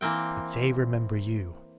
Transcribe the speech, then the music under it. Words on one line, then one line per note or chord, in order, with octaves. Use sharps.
But they remember you!
E3 A#3 C4 G5